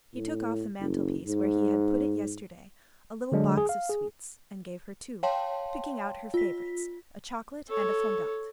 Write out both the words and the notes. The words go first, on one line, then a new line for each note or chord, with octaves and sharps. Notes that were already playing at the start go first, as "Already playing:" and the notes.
He took off the mantelpiece, where he had put it yesterday, a little box of sweets, and gave her two, picking out her favorites, a chocolate and a fondant.
A2
F#1
G#2
D3 F#3 G#3 D4
G#4
F5
G#4
C#5 F5 G5 A5 C6
F4 B6
A4 C#5